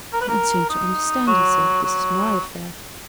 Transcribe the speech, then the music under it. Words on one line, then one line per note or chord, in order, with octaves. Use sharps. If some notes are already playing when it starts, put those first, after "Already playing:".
"You don't seem to understand," he said, "this is my affair."
A#4
B4
A#4
D#4
F#3
F#3